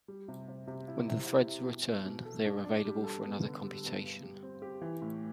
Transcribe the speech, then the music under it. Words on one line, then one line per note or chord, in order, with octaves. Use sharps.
When the threads are returned, they are available for another computation.
G3
C3
C3
C3
E4
E4
E4
E4
B2
B2
B2
A4
D4
D4
G3
A4
B3
D3
G3
B3
G2
G4
C4
G4
E3
A2